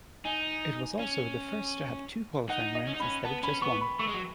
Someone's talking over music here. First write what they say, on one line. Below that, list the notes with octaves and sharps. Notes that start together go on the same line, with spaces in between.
It was also the first to have two qualifying rounds instead of just one.
D#4 G#5
C#4
D#4 F#5
D#5
C#4
D#4
C#4 B5
B3 A5
C#4 B5
B3 C#6
B5
A3 C#6
G#3
F#3